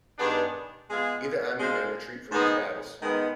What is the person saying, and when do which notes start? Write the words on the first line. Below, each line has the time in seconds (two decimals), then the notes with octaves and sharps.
Either army may retreat from these battles.
0.18 G2 D#3 B3 D4 G#4
0.88 G#3 B3 F4 G#4
1.59 G#3 D4 F4 C5
2.30 G#2 D#3 B3 D#4 G#4
3.01 D#3 G#3 B3